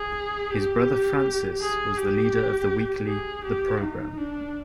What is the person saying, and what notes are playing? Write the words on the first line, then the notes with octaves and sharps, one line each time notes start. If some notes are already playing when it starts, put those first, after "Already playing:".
His brother Francis was the leader of the weekly "The Program".
Already playing: G#4
G4
G#4
G4
G#4
G4
D#4
D4